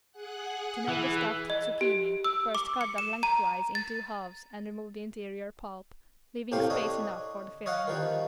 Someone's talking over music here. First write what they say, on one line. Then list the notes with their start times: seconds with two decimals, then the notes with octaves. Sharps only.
To make the stuffed zucchini first cut them lengthwise in two halves and remove the interior pulp, leaving space enough for the filling.
0.12 G#4 F#5 F#6
0.88 E3
1.50 D#5
1.81 G4
2.24 E6
2.55 D6
2.81 C#7
2.98 E7
3.23 A#5
3.75 A6
6.52 C2 A2 A3 C4 G4 F5
6.70 D4 C#5 D#5
7.66 C#5 D#5 F5 F#5
7.88 D#3 F3 G3